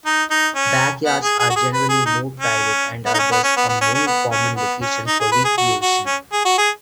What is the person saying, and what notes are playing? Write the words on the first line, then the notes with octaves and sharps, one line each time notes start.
Backyards are generally more private and are thus a more common location for recreation.
D#4
D#4
C#4
B3
G#4
G#4
F#4
G#4
B4
G#4
D#4
C#4
B3
D#4
C#4
B3
C#4
B3
B3
C#4
C#4
B3
C#4
B3
C#4
D#4
G#4
B4
G#4
F#4
F#4
C#4
G#4
F#4
G#4